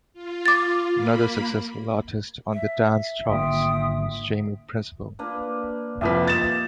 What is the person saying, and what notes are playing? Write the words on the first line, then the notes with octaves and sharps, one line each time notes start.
Another successful artist on the dance charts was Jamie Principle.
F4
D6 A6
A#3 B5
E5
G#1 D3 A#3 F4 G5 D#6
A#3 D4 B4
C2 F2 A#2 F4 G4 B4
D#4 A6 E7